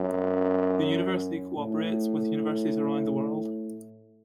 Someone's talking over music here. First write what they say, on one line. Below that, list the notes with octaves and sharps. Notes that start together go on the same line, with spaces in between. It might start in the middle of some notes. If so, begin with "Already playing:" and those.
The university cooperates with universities around the world.
Already playing: F#2
A2